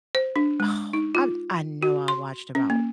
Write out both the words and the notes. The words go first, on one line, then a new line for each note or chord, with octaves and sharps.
Oh, I I know I watched about
C5
D4
G#3
D#4
F4
F#4
C6
C#4
A#3